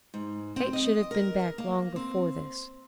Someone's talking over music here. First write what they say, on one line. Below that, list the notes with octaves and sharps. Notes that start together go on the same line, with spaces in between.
Kate should have been back long before this.
G#2
C4
D#5
A#4
A#3
C4